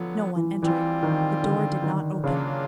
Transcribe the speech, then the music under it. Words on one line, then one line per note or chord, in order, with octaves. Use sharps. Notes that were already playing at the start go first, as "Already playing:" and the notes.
No one entered; the door did not open.
Already playing: D3 F3 F#3 B3
E3
E3 G3 C4 F4
D#3
D3
D#3
C#3 F#3 A#3 D4 F4